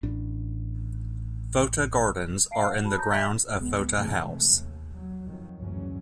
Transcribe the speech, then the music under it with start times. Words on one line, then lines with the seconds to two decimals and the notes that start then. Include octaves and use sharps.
Fota Gardens are in the grounds of Fota House.
0.03 A1 D4
2.51 F5 A5 C7 D7
2.66 F#5
2.83 F#4 A5 B5
2.96 C#5 A5 A#5 D#6 G6 A#6
3.11 E5 G#5 D6 A6 B6
3.57 C#2 B2 G#3 B3
3.93 C3 D#3 E3 G#3 A3 C4
4.51 D#2
4.95 F#3
5.26 F2 D#3 F3 F#3
5.58 F#1 D2 G#2 E3 F#3 C#4